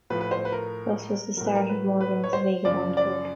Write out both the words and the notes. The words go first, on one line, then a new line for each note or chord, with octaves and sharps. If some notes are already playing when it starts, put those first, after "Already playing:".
Thus was the start of Morgan's vagabond career.
A2 F3 B4
B4
C5
B4
A#4
A2 F#3 A#4
B4
A#4
B4
B4
C#5
C5
F#2 C#3 F3 D5
D5